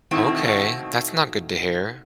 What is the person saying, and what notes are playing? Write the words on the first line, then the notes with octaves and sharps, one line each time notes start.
Okay, that's not good to hear.
B2 D#3 A3 C4 E4 F4